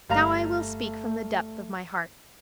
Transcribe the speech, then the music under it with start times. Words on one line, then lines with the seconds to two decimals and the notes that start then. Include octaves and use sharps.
But now I will speak from the depth of my heart.
0.09 G1 G3 A3 F5 A#5